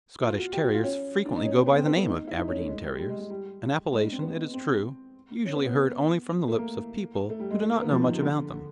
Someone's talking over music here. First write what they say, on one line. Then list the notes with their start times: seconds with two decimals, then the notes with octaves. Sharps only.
Scottish Terriers frequently go by the name of Aberdeen Terriers--an appellation, it is true, usually heard only from the lips of people who do not know much about them.
0.22 F4
0.38 F#4
0.53 G4
0.64 F#4
0.74 F4
0.84 C#4
1.25 D4
1.36 D#4
1.45 C#4
1.56 C4
1.66 B3
1.76 C4
1.86 B3
1.97 A3
2.07 D#4
2.27 E4
2.38 D#4
2.48 C#4
2.59 A3
2.68 G#3
2.84 G3
2.99 G3
3.09 G#3
3.20 G#3
3.30 G3
3.92 G#3
4.02 D4
4.12 C4
4.22 B3
4.53 C4
5.45 C#4
5.55 B3
5.66 B3
6.48 A3
6.58 A#3
7.30 A3
7.40 G3
7.51 G#3
7.61 A3
7.71 A#3
7.81 B3
7.91 F3
8.02 D#3
8.12 C3
8.22 D3